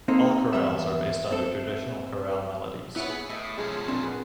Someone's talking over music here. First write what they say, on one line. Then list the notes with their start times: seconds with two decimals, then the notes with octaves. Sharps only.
All Chorales are based on their traditional Chorale melodies.
0.08 A#3 C4 D#4 A4
0.53 E2 G3 B3 E5
1.31 C4 A4
2.96 B3 E4 B4 C#5 F#5
3.10 G#4
3.29 A2 D#5 E5
3.58 B2 F3 G#3 C#4 G#4 A4
3.88 A#2 C4 D4
4.03 G#3 B3